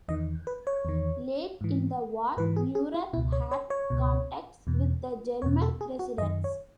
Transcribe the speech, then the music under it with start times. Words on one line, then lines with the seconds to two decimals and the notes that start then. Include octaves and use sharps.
Late in the war, Neurath had contacts with the German resistance.
0.08 E2 D#3 D#5
0.47 B4
0.67 C#5
0.85 E2 D#3
1.61 G#2 E3
2.37 G#2 E3 B4
2.56 G#4
2.75 G#4
2.94 E4
3.13 B2 E4
3.17 C#2
3.32 C#5
3.51 C#5
3.70 C#5
3.90 C#2 B2
4.67 E2 B2
5.42 E2 B2 C#5
5.62 A4
5.81 G#4
5.99 F#4
6.18 F#2 D#5
6.22 D#3
6.44 C#5